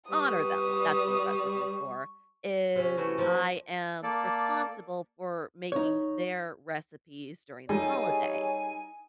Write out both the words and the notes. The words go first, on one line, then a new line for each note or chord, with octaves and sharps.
honor them, that's the word I was looking for, is I am responsible for making their recipes during the holiday.
G3 B4 C#6 D#6
C3 C#4
E3 A3 F#4
F3 A#3
A#3 A4 D5
D#4 C#5
G3 D#4 G#4 A4 C#5 G#5